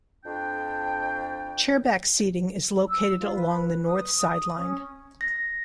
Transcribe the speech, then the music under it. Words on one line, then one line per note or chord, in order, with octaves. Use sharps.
Chairback seating is located along the north sideline.
F2 D4 G5
E6
F4
B4
B4
D#6
C#4
A#6